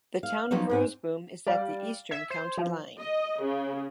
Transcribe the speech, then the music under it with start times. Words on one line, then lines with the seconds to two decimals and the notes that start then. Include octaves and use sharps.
The Town of Roseboom is at the eastern county line.
0.23 F5
0.51 F3 F#3 B3 C#4 D#4
0.70 G#2 C4 G#5
1.47 G3 D5 F5
2.11 E5 G#6
2.30 C5
2.58 F3
2.99 D#5
3.41 C#3